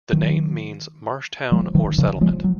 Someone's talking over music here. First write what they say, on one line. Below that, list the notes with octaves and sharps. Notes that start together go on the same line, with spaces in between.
The name means 'marsh town or settlement'.
D#3 F#3
F3 G#3
D#3 F#3
C#3 F3
F3 G#3
F#3